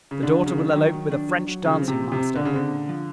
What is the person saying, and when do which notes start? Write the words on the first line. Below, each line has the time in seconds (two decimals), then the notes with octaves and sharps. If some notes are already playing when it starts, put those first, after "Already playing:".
The daughter will elope with a French dancing-master.
0.11 C#3
0.23 D3 D4
0.41 F#3
0.46 C#3
0.58 D4
0.70 D#3
0.76 F#3
0.93 F#3
1.12 D4
1.29 F#3
1.47 F#3
1.64 C#3 F3
1.82 C4
1.88 C3
2.00 F3
2.12 C3
2.18 C4
2.35 A#2 D3
2.45 C#3
2.53 D3 C4
2.71 A#2
2.89 F3